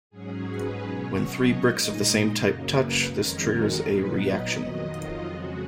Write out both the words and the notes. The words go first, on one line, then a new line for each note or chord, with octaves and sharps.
When three bricks of the same type touch, this triggers a "reaction".
G#2 F#3 C#4 G#4
B4
B2 F#3 C#4 C#5
D#5
A#2 G#3 D#4 D#5
F#2 C#3 F#3 A#3
B4
F2 D#3 G#3 C#4 A#4
F#4
A#2 F#3 B3 D#4 B4
D#5
F2 D#3 F#3 D#5
F4
F2 C#3 G#3 F#4